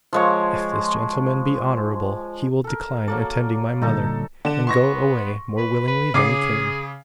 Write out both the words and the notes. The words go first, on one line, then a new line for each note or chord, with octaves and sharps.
If this gentleman be honourable, he will decline attending my mother, and go away more willingly than he came.
F3 G#3 C#5
A4 A#4
F#3 A#3 A4 D5
A#2 D3 G3 D#4 A4
D3 E7
B3 C6 C#6 A#6
B4
B4
C#3 G#4 D6 C7